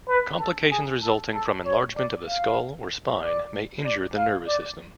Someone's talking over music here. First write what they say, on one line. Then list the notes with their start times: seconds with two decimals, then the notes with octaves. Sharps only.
Complications resulting from enlargement of the skull or spine may injure the nervous system.
0.08 B4
0.39 A4
0.71 G#4
1.02 A4
1.34 A4
1.65 C#5
1.96 D5
2.28 F5
3.22 D5
3.85 D5
4.16 F5
4.47 D5